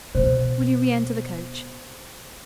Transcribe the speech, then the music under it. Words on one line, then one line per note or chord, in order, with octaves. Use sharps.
Will you re-enter the coach?
B2 C5